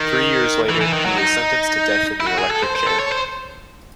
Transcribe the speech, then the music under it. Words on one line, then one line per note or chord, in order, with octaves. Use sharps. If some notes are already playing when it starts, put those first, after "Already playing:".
Three years later, he is sentenced to death in the electric chair.
Already playing: D#3
E3
E3
D#3
F#3
D#4
E4
F#4
G#4
A4
C5
C5
A4
C#5
C5